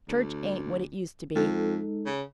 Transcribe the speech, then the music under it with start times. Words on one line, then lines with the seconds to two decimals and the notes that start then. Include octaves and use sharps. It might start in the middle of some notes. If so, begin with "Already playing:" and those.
Church ain't what it used to be.
0.08 D2
1.35 F2 G#3 D#4 A4
2.06 C#3